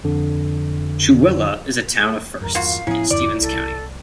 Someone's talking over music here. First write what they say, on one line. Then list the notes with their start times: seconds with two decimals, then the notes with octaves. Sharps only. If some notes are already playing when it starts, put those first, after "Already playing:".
Chewelah is a town of firsts in Stevens County.
0.04 F2 D3
2.41 E2 G2 A#4
2.55 A#3 F4 F#4 F5
2.87 A2 F3 B3 C#4 E4 G#4
3.10 E2 G2 D3 D5 D6
3.40 C2 A4